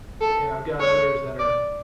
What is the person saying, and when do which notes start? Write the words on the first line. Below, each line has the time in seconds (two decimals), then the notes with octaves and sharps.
yeah, I've got others that are
0.21 A4
0.80 C#5
1.39 D5